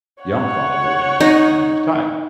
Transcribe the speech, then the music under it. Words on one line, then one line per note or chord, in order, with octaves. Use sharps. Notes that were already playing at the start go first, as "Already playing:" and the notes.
young father and money was tight.
C#5 F#5
D#4